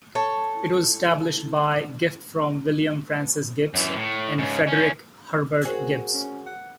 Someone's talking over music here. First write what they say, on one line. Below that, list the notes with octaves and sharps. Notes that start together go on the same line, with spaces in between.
It was established by a gift from William Francis Gibbs and Frederic Herbert Gibbs.
A4 C#5
F#2 E3
A2
G#2 C#3
E2 C#4
F#4 G#4 A#4 C5 C#5
C#4
F#5